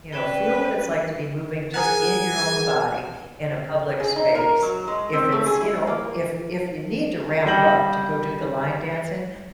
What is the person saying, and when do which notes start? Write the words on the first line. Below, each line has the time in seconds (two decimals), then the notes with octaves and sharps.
you know, feel what it's like to be moving just in your own body in a public space. If it's, you know if if you need to ramp up to go do the line dancing,
0.13 C#4 B4 D5 G5
1.74 G#4 A#4 F#5 G#5
4.00 G#4
4.16 D#4
4.35 A#4
4.62 F#3
4.88 G#3
5.13 C4
5.32 A3
5.46 G#4
5.61 E4
5.87 A#3
7.46 G3 G5 G6 A#6 F#7